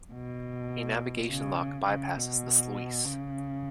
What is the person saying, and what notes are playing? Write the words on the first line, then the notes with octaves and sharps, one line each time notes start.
A navigation lock bypasses the sluice.
B2
C#3
C#3
B2
C#3